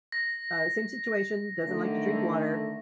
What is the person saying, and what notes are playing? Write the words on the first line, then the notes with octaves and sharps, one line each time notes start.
uh, same situation, doesn't like to drink water.
A#6
D3 D#3 A3